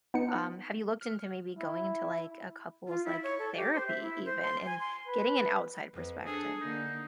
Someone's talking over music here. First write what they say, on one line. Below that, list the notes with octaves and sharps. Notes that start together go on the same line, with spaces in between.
um have you looked into maybe going into, like, a couple's, like, therapy even and getting an outside perspective?
B3 D#4 C#7
F6
E4
F4
E4
C#5
A4
G4
C5
E5
E4
C5
C6
G#5
C6
B4
F2 B4
D4 G#4 A4
D3 A#3 D#4